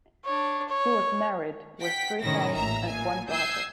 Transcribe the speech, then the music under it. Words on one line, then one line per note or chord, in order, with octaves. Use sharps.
He was married with three sons and one daughter.
D4 C#5
C#5
F#5 G5 B6
A2 C3 D#3 C#4 E4 A#6
A1 A#2 E5 A#5
A#2 G#5
D#6 E6 G6 G#6 C7